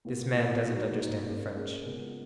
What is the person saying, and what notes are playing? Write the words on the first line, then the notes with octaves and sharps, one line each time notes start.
"This man doesn't understand French."
B2 A#3 F4 B4
B2 A#3 F4 B4
A#3 D#4 F#4
A#3 D#4 F#4
A#3 C#4 G#4
A#3 C#4 G#4
C#3 G#3 B3 F4 A#4